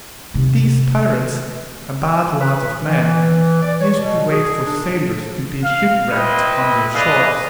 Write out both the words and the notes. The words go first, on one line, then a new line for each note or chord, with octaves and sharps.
These pirates, a bad lot of men, used to wait for sailors to be shipwrecked on their shores.
C3 D#3
B4
E3
D5
C#5
B2
G#4
D4
F5
C4 E4 B4 D#5
G#4 B4 D5 D#5 F5